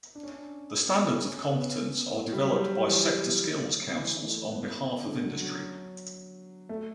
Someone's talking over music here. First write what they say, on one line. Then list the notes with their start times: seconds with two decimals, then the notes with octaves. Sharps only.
The standards of competence are developed by Sector Skills Councils on behalf of industry.
0.15 D4
0.23 C#4
0.31 D4
1.25 C#4
1.51 B3
2.33 G3
2.45 F#3
2.57 G3
2.87 E3
3.96 E3
4.24 A3
4.51 B3
4.78 C#4
5.05 D3
5.24 F#3
5.42 F#3
6.69 A3